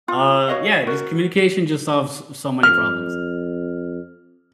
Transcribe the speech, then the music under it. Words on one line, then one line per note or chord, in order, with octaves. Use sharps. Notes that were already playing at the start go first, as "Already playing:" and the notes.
Uh, yeah, just communication just solves s so many problems.
F4
F#4 C#5 D#5 F5
F#4 A#4
F2 F6